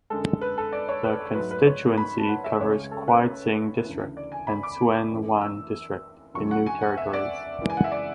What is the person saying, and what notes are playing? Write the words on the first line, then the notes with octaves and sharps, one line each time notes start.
The constituency covers Kwai Tsing District and Tsuen Wan District in New Territories.
F#2 D3 G#3 A4
B4
A4
D5
C#5
B4
G#2 F#3 A3 B4
B4
C#5
B5
A5
F#5
E5
C#2 C#3 G#3 C#5
A4
B4
D2 C#3 E3
D5
G#5
B5
D6
F#2 E3 A3
E6
D2 C#3 F#3 C#6
F#5
G#5
F#5
E5
D5
F#2 C#3 E3 G#3
G#5
F#5
E5
D5